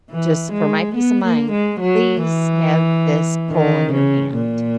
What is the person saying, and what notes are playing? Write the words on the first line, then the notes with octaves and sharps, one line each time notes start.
just for my peace of mind, please have this pole in your hand."
E3
G#3
B3
A#3
G#3
F#3
E3
D#3
C#3
A#2